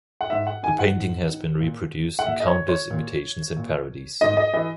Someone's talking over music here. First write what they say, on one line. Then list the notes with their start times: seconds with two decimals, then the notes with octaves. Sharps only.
The painting has been reproduced in countless imitations and parodies.
0.21 F#5
0.30 G#2 E5
0.47 F#5
0.63 D#3 G#5
0.79 F#5
0.96 G#2
1.28 D#3
1.61 A#2
2.19 F#5
2.26 A#2 E5
2.40 D#5
2.47 C#5
2.69 C#5
2.91 A#2
3.57 A#2
4.21 G#2 D#5
4.37 D#5
4.53 E3 D#5